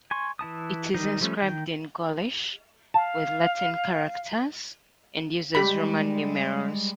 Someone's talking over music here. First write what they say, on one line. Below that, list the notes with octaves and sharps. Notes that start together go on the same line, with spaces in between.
It is inscribed in Gaulish with Latin characters and uses Roman numerals.
G#5 C6 C#6
E3 E4 A5 D#6
D#3 G3 D#4 A#4 D#5
F3 G3 A3 C#4
D#3 G5
F5 A5
G3 G#3 G4 B5